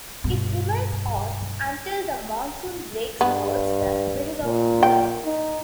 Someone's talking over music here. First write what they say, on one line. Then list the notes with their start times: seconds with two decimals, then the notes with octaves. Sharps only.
It remains hot until the monsoon breaks towards the middle of June.
0.24 G2 B2
3.21 G2 B3
4.45 A#2
4.83 G5
5.25 D#4